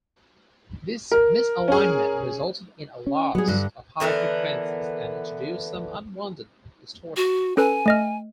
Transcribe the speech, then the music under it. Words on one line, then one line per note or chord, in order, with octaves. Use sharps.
This misalignment resulted in a loss of high frequencies and introduced some unwanted distortion.
A#4
C#4 G#4
C#4
F#3 G3 B3 G#4
G2 D3
D3 E3 B3 A#4
F#4
C#4 A4 B4 G#5
A3 D#5 F6